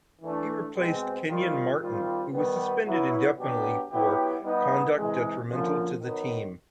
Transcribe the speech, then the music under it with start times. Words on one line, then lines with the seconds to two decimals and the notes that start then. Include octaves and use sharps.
He replaced Kenyon Martin who was suspended indefinitely for "conduct detrimental to the team".
0.22 E3 A3 D4
0.75 B2 G#3 C4
1.27 D#3 G3 C4 F4
1.79 D#3 G3 C4 F4
2.32 D#3 G3 B3
2.85 F#3 B3 E4
3.37 B2 F#3 B3 D4 G4
3.89 F#3 B3 E4 G4
4.42 G3 B3 D#4
4.94 C3 E3 G#3
5.47 F#2 D3 F3 A#3
5.99 D#3 F#3 B3